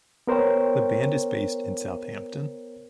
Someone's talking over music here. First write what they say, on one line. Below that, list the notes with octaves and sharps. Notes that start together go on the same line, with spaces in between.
The band is based in Southampton.
B3 A#4 C5 C#5 G5